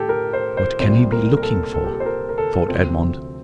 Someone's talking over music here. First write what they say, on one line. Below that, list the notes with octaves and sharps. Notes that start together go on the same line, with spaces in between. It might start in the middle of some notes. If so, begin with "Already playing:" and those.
"What can he be looking for?" thought Edmond.
Already playing: A2 G4 A4
A#4
C5
C5
C2 A#2 G3 C5
A#4
A#4
A4
A4
G4
A4
C5
A#4
A#4
A4
D2 C3 F3 C4